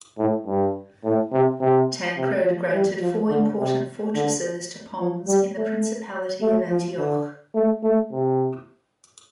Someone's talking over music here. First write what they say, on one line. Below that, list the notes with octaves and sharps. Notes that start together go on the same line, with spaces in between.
Tancred granted four important fortresses to Pons in the Principality of Antioch.
A2
G2
A2
C3
C3
C3
F3
G3
F3
D3
C3
D3
F3
G3
A3
A3
F3
D3
A3
A3
C3